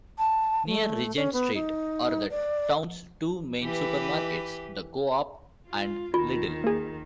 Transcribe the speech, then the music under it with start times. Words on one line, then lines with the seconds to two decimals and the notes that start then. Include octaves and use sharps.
Near Regent Street are the town's two main supermarkets, the Co-op and Lidl.
0.18 A5
0.67 A3
1.15 C#4
1.33 B3
1.54 D#4
2.31 D5
3.63 E3 G4 B4
5.68 F4
6.14 D#2 D#3 F4
6.64 A#3 G#4